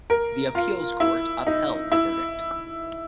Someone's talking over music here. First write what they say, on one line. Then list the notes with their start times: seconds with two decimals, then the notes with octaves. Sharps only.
The appeals court upheld the verdict.
0.10 A#4
0.55 F4
1.00 E4
1.47 D#4
1.92 E4